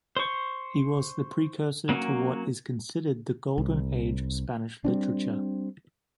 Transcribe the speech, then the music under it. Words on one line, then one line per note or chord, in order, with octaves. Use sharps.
He was the precursor to what is considered the golden age of Spanish literature.
C5 C#6
F#3 A#3 C#4 F#4
C2
G3 C4 D4